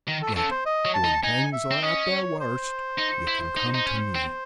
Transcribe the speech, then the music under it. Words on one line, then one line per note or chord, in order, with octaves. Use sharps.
Yet, when things are at their worst, you can come to me.
D#3
A4
C#3 A4
C5
D#5
F#3
A5
D#4
D#4 G#5
E5
C4
C#4 D#5
C#5
C5
D#4
E4
D#4
D#4
C#4
C4